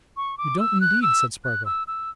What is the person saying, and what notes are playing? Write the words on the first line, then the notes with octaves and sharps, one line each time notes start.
"You don't, indeed!" said Spargo.
C#6
D6
E6
F#6
E6
F#6
E6
E6